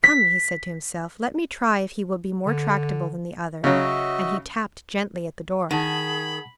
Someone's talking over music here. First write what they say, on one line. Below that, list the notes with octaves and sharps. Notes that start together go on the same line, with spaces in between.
"Come," he said to himself, "let me try if he will be more tractable than the other;" and he tapped gently at the door.
B6
D3
C#3 F#3 F#4 D#5 E5
D#3 G#4 F#5 A5 B5